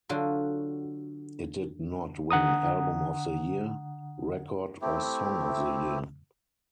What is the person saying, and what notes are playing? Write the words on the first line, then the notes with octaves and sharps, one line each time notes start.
It did not win Album of the Year, Record or Song of the Year.
D3 F#3 F4 F#4
D3 F#5 A#5 D#6
A3 C4 E4 G4